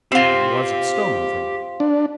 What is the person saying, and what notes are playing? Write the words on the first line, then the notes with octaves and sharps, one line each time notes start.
"And was it stolen from you?"
C4 F4 G4 C6
D4